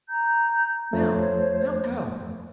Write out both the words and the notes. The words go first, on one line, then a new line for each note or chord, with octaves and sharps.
"Now--now, go."
A#5 G6
F2 F3 A3 C5 C#5